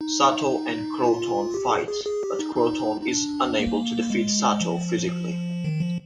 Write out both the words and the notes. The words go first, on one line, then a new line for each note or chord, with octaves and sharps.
Sato and Kroton fight, but Kroton is unable to defeat Sato physically.
D#4
F4
G4
G#4
G#4
G#4
G4
D#4
D#4
D#4
D4
A#3
G#3
F3
D#3
F3